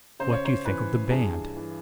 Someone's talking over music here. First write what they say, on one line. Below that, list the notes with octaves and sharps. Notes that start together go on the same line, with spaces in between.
"What do you think of the band?"
C#3 C5
C#5
C5
E3 B4
G2 G#4
E3